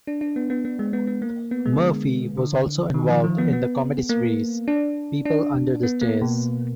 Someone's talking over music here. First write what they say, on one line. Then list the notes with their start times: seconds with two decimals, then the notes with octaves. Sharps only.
Murphy was also involved in the comedy series "People Under the Stares".
0.07 D4
0.21 D4
0.36 B3
0.50 B3
0.65 B3
0.79 G#3
0.93 B3
1.07 B3
1.22 A#3
1.51 B3
1.66 G#3
1.80 D3
2.37 D3
2.94 D#3
3.09 F3
3.24 F3
3.38 B3
3.53 B3
4.09 A#3
4.68 D4
5.25 D4
5.83 B3
6.01 A#3
6.22 B2